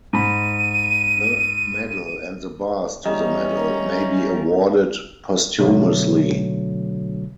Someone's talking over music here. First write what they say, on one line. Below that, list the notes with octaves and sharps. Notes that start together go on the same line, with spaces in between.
The medal and the Bars to the medal may be awarded posthumously.
G#2 B5 D#7
G3 C#4 D#5 E5 A#5
B2 D3 F#3 A3